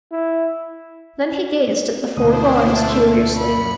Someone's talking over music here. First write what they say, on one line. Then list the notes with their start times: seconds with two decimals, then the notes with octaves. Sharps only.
Then he gazed at the four boys curiously.
0.12 E4
2.17 D2 B2 D4 E4 C5 D#6
2.70 A3 A4
3.36 F#2 B5 C#7